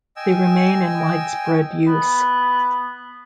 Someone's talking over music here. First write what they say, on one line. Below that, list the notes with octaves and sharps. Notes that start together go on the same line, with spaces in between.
They remain in widespread use.
D#5 G5 G#5 E6
B3